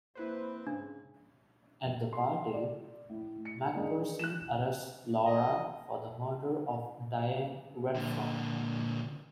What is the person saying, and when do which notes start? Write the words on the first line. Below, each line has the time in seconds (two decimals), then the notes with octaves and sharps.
At the party, McPherson arrests Laura for the murder of Diane Redfern.
0.15 A#3 C4 E4 B4 C5
0.67 G#2 C#3 D4
2.13 C6
2.54 D5
3.09 A2
3.45 C#7
3.75 D#3 G#3 D4 D#4
4.19 F#6 E7
5.27 D#5
7.95 A#2 D3